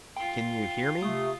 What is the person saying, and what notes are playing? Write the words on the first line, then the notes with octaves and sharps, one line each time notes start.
Can you hear me?
F4 G5 C6
C3 A3 D#6